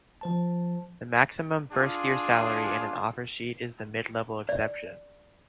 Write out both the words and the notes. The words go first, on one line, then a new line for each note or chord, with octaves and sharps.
The maximum first-year salary in an offer sheet is the mid-level exception.
F3 C5 A5
D4 F4 G#4
D5